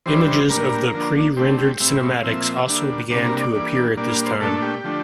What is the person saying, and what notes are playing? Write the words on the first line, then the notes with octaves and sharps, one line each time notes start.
Images of the pre-rendered cinematics also began to appear at this time.
E3 G3 D4 C5
C5
A2 G3 A#3 D4 A#4
D3 F3 A#3 D4
D3 A3 C4 G4
G4
A2 G3 C4 E5
A#2 F3 C4 E5
D3 G3 A#3 D4
C3 G3 A#3 D4 D5
A#4
D5
E3 G3 A#3 D4
A#2 G3 A#3 D4 D5
C5
A#2 A3 D4 A4
G4
D3 F3 A3 D4